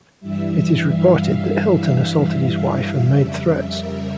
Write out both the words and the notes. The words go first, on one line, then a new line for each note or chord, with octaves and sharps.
It was reported that Hilton assaulted his wife and made threats.
G2 E3 G3 E5
F5
F5
E5
F2 C#3 G3
A#4